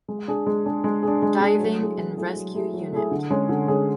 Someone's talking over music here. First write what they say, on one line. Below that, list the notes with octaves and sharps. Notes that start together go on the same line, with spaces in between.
Diving and Rescue Unit.
G#3
D4 G#4
G#3
D4 G#4
G#3
D4 G#4
G#3
D4 G#4
F#3
A3 E4 G#4
F#3
A3 E4 G#4
F#3
A3 E4 G#4
F#3
A3 E4 G#4
D3
G#3 C#4 G#4
D3
G#3 C#4 G#4